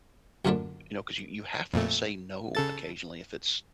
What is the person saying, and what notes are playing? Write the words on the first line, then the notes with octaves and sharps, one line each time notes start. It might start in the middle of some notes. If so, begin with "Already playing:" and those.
You know, 'cause you you have to say no occasionally if it's
F#2 A#2 D3 A3 A#3 D4
F2 A#2 A3
C#3 A4 A6